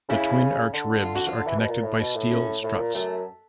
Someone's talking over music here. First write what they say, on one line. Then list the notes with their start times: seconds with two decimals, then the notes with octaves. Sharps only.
The twin arch ribs are connected by steel struts.
0.09 C#3 E4
0.73 D3
1.04 F4
1.15 F#4
1.27 F4
1.36 D3
1.47 E3
1.58 B2
1.68 A#2
1.84 A2
2.00 B2
2.15 A2
2.31 C#4
2.63 A2
2.78 A#2
2.94 F#2 A3